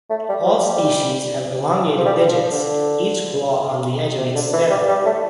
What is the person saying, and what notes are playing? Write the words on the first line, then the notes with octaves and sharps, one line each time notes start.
All species have elongated digits, each claw on the edge of each seta.
A3
G3
F3
G3
F3
G3
F3
D3
C3
D3
E3
G3
G3
A3